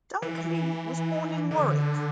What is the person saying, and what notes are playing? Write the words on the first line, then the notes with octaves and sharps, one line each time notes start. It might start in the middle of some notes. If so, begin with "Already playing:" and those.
Dunckley was born in Warwick.
E3
D3